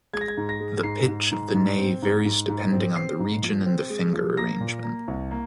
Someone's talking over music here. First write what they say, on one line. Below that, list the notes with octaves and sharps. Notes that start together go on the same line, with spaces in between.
The pitch of the ney varies depending on the region and the finger arrangement.
G#3 G#6
A#6
G#6
G#2
A#6
G#3
G#2 C7
G#2
G#2
G#2
C4
G#2
G#2
G#2
C4
C4 C7
G#2
F3
C4
G#3
F3
A#3 A#6
A#2
A#3
C2
A#3